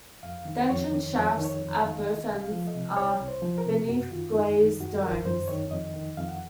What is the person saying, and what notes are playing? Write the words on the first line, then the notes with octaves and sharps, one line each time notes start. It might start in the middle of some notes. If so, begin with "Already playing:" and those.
The entrance shafts at both ends are beneath glazed domes.
F2 F5
D#3
F2 C#5
D#3
F2 C#5
D#3
C#5
F2
F5
D#3
C2 D#5
C2
F5
F3
D#5
C3
C2 C#5
C2
C5
F3
A#4
C3
F#2 F#4
D#3 F4
F#2 D#4
D#3 D#4
F#2 F#4
D#3 A#4
F#2 C5
D#3 C#5
F2 D#5
D#3
F2 F5
F#5